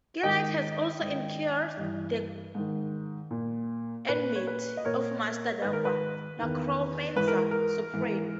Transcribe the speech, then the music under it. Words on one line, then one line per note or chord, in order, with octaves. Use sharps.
Gilad has also incurred the enmity of Master Darque - necromancer supreme.
G#2 D#3 D#5 G5
G#2 D#3
G2 E3
G#2 D#3
A#2
A#2 B4
C#5
B4
D#5
A#2 A#4 C#5
G#2 D#3 B4
A#4
B4
E2 D#3
G#2 E3 B4
A#4
A#4
G#2 E3